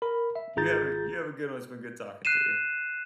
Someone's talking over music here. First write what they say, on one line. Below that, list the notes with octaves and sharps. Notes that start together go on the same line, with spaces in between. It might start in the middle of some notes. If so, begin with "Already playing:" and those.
you have a you have a good one, it's been good talking to you.
A#4 B5
E5
G#1 F4 G#4 A#5 G6 A6
F#6 C7 D#7 E7